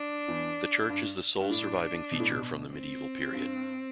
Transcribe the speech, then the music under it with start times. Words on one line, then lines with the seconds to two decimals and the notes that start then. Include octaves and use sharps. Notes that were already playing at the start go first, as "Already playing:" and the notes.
The church is the sole surviving feature from the medieval period.
Already playing: D4
0.28 E2
0.89 G2
1.40 G2
1.50 A2 D4
2.11 B2
2.20 A2
2.29 B2
2.72 C4
3.34 G2